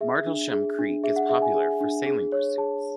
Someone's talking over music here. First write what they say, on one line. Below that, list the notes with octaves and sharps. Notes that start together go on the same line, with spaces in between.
Martlesham Creek is popular for sailing pursuits.
G#4 E5
D4
G#4
D4
G#4 E5
F#5
G#4 E5
G#5
G#4
D4
G#4
C#5
G#4 A5